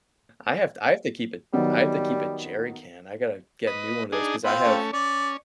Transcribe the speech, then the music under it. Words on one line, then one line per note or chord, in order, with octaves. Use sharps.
I have to I have to keep a I have to keep a jerry can, I gotta get a new one of those 'cause I have
D#3 F#3 G3 B3
B4 D#5
D4 D#4 G#4
B3 C4 F4
A3 C#4
C#4 D5